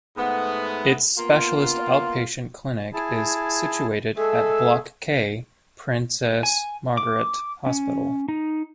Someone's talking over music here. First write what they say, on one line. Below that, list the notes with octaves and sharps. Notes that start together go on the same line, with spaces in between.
Its specialist outpatient clinic is situated at Block K, Princess Margaret Hospital.
G#2 A3 B3
A#3 B3 F4
E4 G#4 A5
G#3 G#4 A4 E5
G#5
D6
C#4
D#4